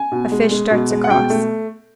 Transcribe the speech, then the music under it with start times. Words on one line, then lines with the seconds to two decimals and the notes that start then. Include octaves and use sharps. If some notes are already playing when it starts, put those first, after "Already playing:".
A fish darts across.
Already playing: G#5
0.12 B2
0.32 G#3
0.51 G#3
0.71 B2
0.91 G#3
1.04 F#5
1.10 B2 G5
1.30 A3